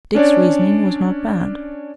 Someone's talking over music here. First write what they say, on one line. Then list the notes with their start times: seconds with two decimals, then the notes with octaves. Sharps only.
Dick's reasoning was not bad.
0.15 C#4 D4 C#5 D5